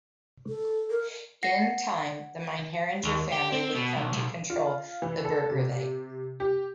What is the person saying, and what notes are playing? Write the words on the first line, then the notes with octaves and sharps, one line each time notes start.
In time the Meinheringer family would come to control the burgravate.
A4
A#4
F#5 A#6 C7 C#7
D#2
G4
C4
B2
B1
B1
F4
E3
A4
C3
G4